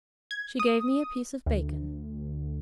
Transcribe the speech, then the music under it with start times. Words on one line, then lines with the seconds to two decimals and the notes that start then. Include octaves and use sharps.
'She gave me a piece of bacon.'
0.31 G#6
0.59 D#6
1.46 D2